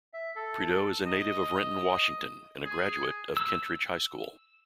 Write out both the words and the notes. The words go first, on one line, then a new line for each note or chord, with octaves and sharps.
Prideaux is a native of Renton, Washington and a graduate of Kentridge High School.
E5
A4
D#5
G#4
E6